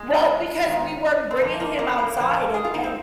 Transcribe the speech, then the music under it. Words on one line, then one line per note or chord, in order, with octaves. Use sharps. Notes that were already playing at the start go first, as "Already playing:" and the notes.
Well, because we were bringing him outside, and and
Already playing: G#3
G#2 D#3
C4
A#2 F3 A#3
A#3
A#3
A#3
A#2 F3 A#3
G#4
F4
D#4
C4